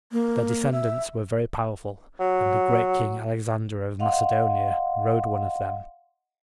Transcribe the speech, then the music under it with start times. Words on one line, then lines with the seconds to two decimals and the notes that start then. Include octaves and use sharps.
Their descendants were very powerful, and the great king Alexander of Macedonia rode one of them.
0.12 A#3
0.72 E5
2.20 F#3
3.99 D#5 F5 F#5 C6